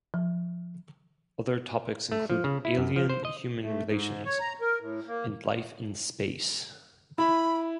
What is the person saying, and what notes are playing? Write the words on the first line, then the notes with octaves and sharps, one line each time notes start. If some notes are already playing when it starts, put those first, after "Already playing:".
Other topics include alien-human relations and life in space.
F3
A3
F3
C#3
E4
F#2
F3
C5
D#5
A3
G#2
C#5
A#5
A#4
A2
A#3
E4 B5